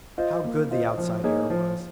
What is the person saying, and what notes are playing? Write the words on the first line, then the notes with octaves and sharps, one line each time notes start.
How good the outside air was!
F4 C5 D#5
A#3
F4 C5 D#5
F3
A#3 D#4 G#4 C#5
F3